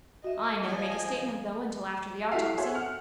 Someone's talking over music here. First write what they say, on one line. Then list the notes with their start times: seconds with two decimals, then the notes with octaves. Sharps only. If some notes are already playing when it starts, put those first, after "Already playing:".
I never make a statement, though, until after the autopsy.
0.24 F#4 D#5 E5
0.62 F3 G#5
2.32 E4 F#4 G4 A4 E5 F5
2.58 F#4 G#4 A4 C5 C#5 E5
2.74 F#5 F6